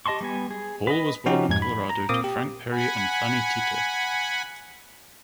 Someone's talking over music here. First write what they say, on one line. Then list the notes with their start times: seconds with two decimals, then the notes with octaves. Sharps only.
Paul was born in Colorado to Frank Perry and Fanny Teeter.
0.06 G4 D#5 A5 C6 C#6
0.21 G3 B3 G#5
0.51 G#4
0.87 B4 D#5
1.26 F3 C#4 D#4 F#4 G4
1.49 F2 G#2 G#6
1.62 B5
1.90 A#5
2.09 A#2 A#3 C4 D6 D#6
2.24 G4
2.70 F#5 G#5 B5